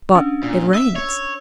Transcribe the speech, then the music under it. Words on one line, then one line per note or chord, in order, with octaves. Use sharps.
"But it rains."
C#4 D4
A#2
D#5 E5 E6
C#5